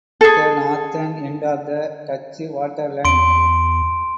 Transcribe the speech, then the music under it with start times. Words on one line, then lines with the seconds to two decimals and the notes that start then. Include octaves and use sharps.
Muiden was the northern end of the Dutch Water Line.
0.21 G#4 A4
3.05 E2 C6 D7